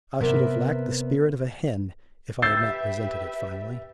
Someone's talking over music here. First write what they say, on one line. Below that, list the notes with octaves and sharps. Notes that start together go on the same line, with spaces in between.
I should have lacked the spirit of a hen if I had not resented it finally.
C3 B3 A#4 B4 D5 E5
G4 B4 E5 E6 G6 A6 C7